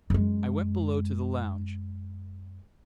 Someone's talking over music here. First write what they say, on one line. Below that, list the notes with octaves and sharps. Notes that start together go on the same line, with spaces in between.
I went below to the lounge.
F#2 G#3